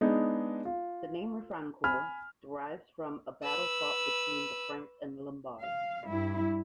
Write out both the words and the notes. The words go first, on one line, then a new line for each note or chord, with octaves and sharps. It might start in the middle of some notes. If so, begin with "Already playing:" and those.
The name Refrancore derives from a battle fought between the Franks and Lombards.
G#3 B3 D4 D#4 G#4
F4
G#5 B5 F6
B4 E6
F5
G2 E4